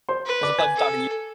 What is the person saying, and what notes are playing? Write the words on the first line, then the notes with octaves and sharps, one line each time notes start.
It's a pleasure talking to you
C5 C6
B4
D5 D6
G#5 G#6
A4